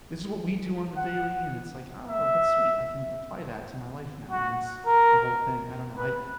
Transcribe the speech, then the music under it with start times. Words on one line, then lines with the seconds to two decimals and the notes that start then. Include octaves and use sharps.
this is what we do on the daily," and it's like, "Oh, that's sweet, I can apply that to my life now," and it's a whole thing. I don't know. I
0.97 F#5
2.08 E5
4.31 F#4
4.86 A#4
5.98 B4